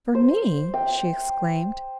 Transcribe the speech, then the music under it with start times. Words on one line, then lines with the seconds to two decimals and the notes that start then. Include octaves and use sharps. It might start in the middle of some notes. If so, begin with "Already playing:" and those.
"For me!" she exclaimed.
0.15 C5
0.74 G5